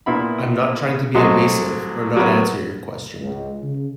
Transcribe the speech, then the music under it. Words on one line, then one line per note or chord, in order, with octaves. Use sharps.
I'm not trying to be evasive or not answer your question.
A#2 B3 E4 B5
C2 F#3 A3 D#5 C6
F#3 A#3 B3
C#2
C#3